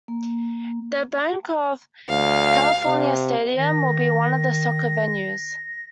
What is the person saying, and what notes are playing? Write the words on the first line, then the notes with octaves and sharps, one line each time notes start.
The Banc of California Stadium will be one of the soccer venues.
A#3
D2 F5
C3
D#3 A#6